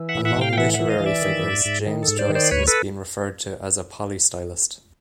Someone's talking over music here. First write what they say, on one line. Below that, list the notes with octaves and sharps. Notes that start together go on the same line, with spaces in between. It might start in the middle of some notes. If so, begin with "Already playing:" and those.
Among literary figures, James Joyce has been referred to as a polystylist.
Already playing: E3
E5 F#5
A2
E5 F#5
A2
F5 G5
G5
E3 E5 F#5
E5 F#5
E3
D#5 F5
E3
D5 E5
D#3
G#2
G#2
D#3
A4
G#2
C5 D5
D#3
C5 D5
D2 B4 C#5
A4 B4